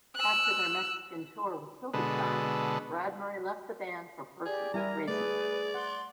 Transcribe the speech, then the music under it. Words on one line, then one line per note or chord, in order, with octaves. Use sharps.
After their Mexican tour with Silverstein, Brad Murray left the band for personal reasons.
E6 F#6
B2 D3 G#3 A4 B4
G4 G#4 D5
G3 E4 A#4 G#5 A#5
A3 G#4 B4 D5
F#5 C6